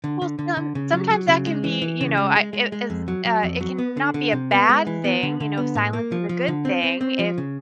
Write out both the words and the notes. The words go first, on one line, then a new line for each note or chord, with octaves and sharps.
Well, some sometimes that can be, you know, I it it's, uh It can not be a bad thing, you know, if Silence is a good thing, if
D3
D3
D3
D3
C#3
F#3
F#3
C#3
G#3
E3
E3
C#3
G#3
G#3
G#3
G#3
F2
F#3
F#3
F2
F#3
B3
D3
D3
C3
B3
G#3
E3
B3
D3
D3
B3
A2
A#3
F3
F3
D3
C4
C4
C4
F3
C#3